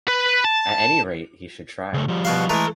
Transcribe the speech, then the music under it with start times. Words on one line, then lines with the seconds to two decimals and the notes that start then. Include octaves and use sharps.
At any rate, he should try.
0.08 B4
0.44 A5
1.93 C#3 A3
2.08 F3 G3
2.25 B2 F#4 F5
2.49 E3 G#3 A3 A4 A#5